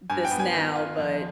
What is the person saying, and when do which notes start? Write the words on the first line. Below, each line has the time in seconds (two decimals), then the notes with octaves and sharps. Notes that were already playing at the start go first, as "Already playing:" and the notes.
this now, but
0.10 G2 G#5
0.25 G5
0.31 B3
0.40 G#5
0.53 D#3
0.76 F4
0.99 F2